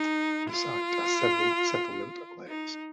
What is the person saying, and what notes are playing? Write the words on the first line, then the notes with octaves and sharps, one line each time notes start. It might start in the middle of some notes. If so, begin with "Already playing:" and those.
The site has several settlement layers.
Already playing: D#4
F4
D#4